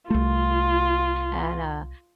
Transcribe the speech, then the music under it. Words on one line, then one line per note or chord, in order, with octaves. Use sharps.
And, uh
C2 A3 F4